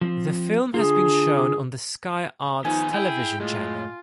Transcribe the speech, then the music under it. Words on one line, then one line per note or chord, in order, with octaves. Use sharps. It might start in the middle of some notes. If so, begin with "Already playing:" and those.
The film has been shown on the Sky Arts television channel.
F3 C4
D3 D4 F4 G#4
D#3 F3 B3 D#4 G#5
E4 G#4 G5
A2 G#3 F4